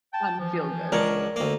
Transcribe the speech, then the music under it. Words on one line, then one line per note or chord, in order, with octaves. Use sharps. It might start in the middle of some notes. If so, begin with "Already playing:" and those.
on feel goods.
G5 A5
E3 F3
C#2 D4 A#4 C#5 D5
D2 A#3